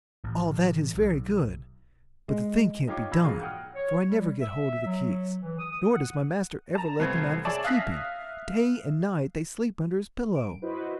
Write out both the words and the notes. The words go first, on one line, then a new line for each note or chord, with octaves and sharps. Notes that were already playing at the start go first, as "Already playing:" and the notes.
"All that is very good; but the thing can't be done, for I never get hold of the keys, nor does my master ever let them out of his keeping; day and night they sleep under his pillow."
A1
B1
G#3
D#4 F4 G4 C#5 F5 D6
A#2 D4 B5 E6 G#6 A#6
E1 G#2 F3 F5
F#5 G5 D#6 F6
C#5
G3
E5
F#3
E3
D#6
F#5
A5 A#5
C2 A3 C4 B4 G#6
G#4 C#5 D5 E5 A5
E5 F5 D#6 F#6 A#6 B6
D7
F#2
E4 F#4 B4 C5 D#5